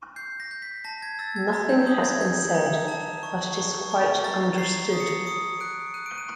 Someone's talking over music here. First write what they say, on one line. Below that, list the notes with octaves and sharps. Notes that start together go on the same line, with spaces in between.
Nothing has been said, but it is quite understood.
G6 C7
A#6
G6
B6
A5 A#6
G#6
E6 A6
G#6
A#5 G#6
G6
D#6 G6
G#6
G6 G#6
A#5
A5
C#6
C#6
C#6
A#5 A6
A#5 C7
D#6 C7
C#7
C7
D#6 C#7
F#6 D7
F#6 D#7
D7
D#7